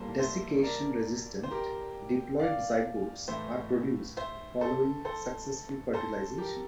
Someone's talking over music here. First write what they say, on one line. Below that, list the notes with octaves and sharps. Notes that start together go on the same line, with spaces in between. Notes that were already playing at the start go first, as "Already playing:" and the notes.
Desiccation-resistant diploid zygotes are produced following successful fertilization.
Already playing: C2 A#2 G3 A#3 A4 C5
C5 E5
A#4 D5
C5
G4 A#4
D5 F5
A2 E3 A3 C5 E5
C5 E5
A4 C5
A4 C5
A4 C5
G4 A#4